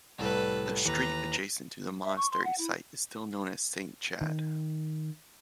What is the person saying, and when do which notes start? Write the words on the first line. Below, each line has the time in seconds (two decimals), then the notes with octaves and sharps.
The street adjacent to the monastery site is still known as Saint Chad.
0.18 C2 A2 G3 A4 B4
0.85 D#2 E3 B4 A#5
2.04 E5
2.16 C#6
2.31 C6
2.44 F#5
2.58 E4
4.21 D#3